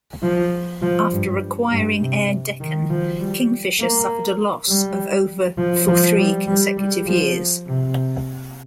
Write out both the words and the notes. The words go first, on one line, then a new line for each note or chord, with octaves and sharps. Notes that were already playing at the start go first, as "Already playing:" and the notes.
After acquiring Air Deccan, Kingfisher suffered a loss of over for three consecutive years.
F3
F3
G2
G2
C3
D#3
F3
G3
A#3
G3
F3
F3
G3
G3
G3
F3
C3